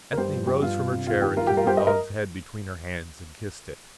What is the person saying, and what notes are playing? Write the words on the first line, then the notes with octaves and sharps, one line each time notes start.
Ethne rose from her chair and took the dog's head between her hands and kissed it.
A#4
G2 G4 C5
F3
G2 G4
G2 F4
C3
C3
F2 F4
D#3 G4
G2 F4 A#4
G3 G4
F4 A#4
G2 G4 C5
A#4 D#5
A#4 D#5